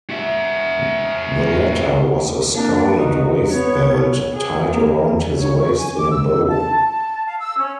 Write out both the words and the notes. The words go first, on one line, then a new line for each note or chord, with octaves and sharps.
The latter was a scarlet waist-band tied around his waist in a bow.
F#4 E5
A#3 D4
D#4 F#4
B3 C#5
G#4
A#3
C#5
C#6
G#5
D6
E6
A5
A5
F5
E6
C#4